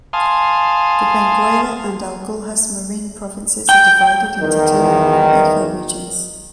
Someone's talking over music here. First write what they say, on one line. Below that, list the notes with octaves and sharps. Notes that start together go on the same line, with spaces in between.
The Benguela and Agulhas marine provinces are divided into two marine ecoregions.
F5 G#5 A5 C6 D#6
G5
E2 D#3